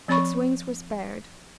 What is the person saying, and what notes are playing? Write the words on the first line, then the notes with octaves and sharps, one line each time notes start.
Its wings were spared.
F3 C4 C#5 B5 C#6